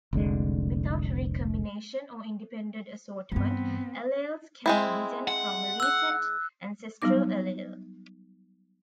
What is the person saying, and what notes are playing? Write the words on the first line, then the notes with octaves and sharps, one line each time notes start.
Without recombination or independent assortment alleles cannot descend from a recent ancestral allele.
F1 C2 D3 G#3
G2 E3 B3 C4
G#3 C4 E4
F#5
E6 F#6
F#3 G3 B3 D#4 D6